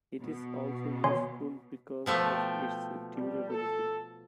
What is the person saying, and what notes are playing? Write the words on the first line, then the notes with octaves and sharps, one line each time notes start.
It is also useful because of its durability.
B2
C#5 G#5 C6
B2 F3 A3 G5
G3
A4